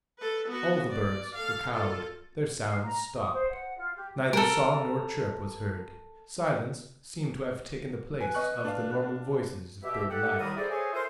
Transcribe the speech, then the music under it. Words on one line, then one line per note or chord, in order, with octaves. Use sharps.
All the birds were cowed; their sounds stopped. Neither song nor chirp was heard--silence seemed to have taken the place of the normal voices of bird life.
A4 B4
B3 F#4
D5
A4 F5
F4 A4
F5
A#5
D#6
C5
F#5
F4
G4
A4 A#4
B4 G#5
D#5 C#6 F#6
D4 F5
B2 G4 E5
G4 A4 F#5
D#2 D#3 G3 E4 A#4 D#6
E4 G#4 A4 C5 D5
G#4 A4 C5 C#5 D#5 G#5
E4 F4 A4 A#4 C5